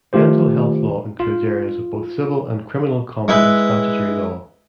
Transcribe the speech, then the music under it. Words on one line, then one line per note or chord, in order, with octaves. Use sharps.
Mental health law includes areas of both civil and criminal common and statutory law.
D#3 A3 F4 G4 C5
F4
G#3 E4 B4